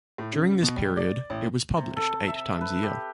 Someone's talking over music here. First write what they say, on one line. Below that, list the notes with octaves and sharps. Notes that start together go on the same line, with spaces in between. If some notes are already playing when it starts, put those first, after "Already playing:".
During this period it was published eight times a year.
A2
C#3
B2
G3
D5
A1
C3
A4
E5
B4
G4